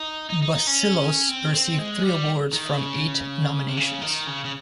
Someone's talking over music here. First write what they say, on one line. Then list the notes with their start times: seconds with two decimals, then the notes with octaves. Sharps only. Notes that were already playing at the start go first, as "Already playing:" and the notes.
Bacilos received three awards from eight nominations.
Already playing: D#4
0.30 D#4
0.42 D#4
0.55 D#4
0.67 C#4
1.29 C4
1.54 C4
1.79 G#3
2.04 G3
2.53 D#3
2.77 C#3
3.68 C3
3.77 C#3
4.01 D#3
4.27 C#3
4.45 C#3